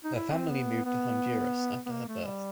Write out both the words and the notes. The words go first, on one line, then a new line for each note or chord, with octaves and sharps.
Her family moved to Honduras after her birth.
D#4
E4
C4
B3
B3
B3
A#3
A3
G3